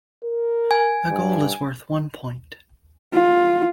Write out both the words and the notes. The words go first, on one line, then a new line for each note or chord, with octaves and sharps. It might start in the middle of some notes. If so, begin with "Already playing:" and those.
A goal is worth one point.
A#4
G#5
G2
F4